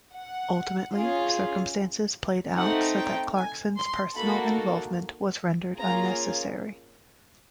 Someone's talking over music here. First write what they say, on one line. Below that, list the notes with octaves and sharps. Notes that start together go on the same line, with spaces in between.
Ultimately, circumstances played out so that Clarkson's personal involvement was rendered unnecessary.
F#5
C#4 F4 G#4
A3 C4 D#4 F#5
G5
G#5
C6
A#3 D#4 F#4 A4 B5
A#3 C#4 F4 G#4 A#5